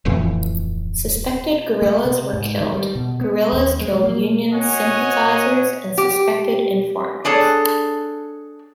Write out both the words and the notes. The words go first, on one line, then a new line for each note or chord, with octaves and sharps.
Suspected guerrillas were killed; guerrillas killed Union sympathizers and suspected informers.
D1 F2 A2 E3
A3
C3
G#2
D#3
G3
B2
B3
D#2
G#3
A#3
F#4 C#5 D#5 F#5 G#5
G4
D4 G#4 A4 C#5